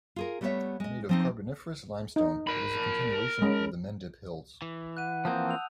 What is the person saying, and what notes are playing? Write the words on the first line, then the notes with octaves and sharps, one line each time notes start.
Made of Carboniferous Limestone, it is a continuation of the Mendip Hills.
F4 G#4 A#4
G3 A3 B3 A4 C#5 E5
G#3 D#5
F3 C4 D#4
D#4
A#4 B5
G#3 C#4
E3
F#5 F#6 D#7
F3 A#3 C4 A5 D#6 G6
E6 F7